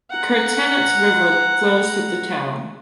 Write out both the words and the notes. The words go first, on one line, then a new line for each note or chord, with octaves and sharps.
The Kerzhenets River flows through the town.
F#5 A#5